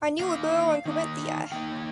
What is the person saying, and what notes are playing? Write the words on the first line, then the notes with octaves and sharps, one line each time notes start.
I knew a girl in Carinthia.
D#3 A#3 D#4 F5
D#3 A#3 D#4
D#3 A#3 D#4 G5